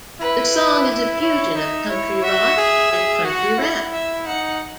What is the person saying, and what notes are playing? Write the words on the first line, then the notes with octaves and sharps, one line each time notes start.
The song is a fusion of country rock and country rap.
E4 B4
B4
E4 C#5
D#4 E5
E4 C#5
F#4 E5
G#4
G#4
F#4 F#5
E4
E5
D#4 F#5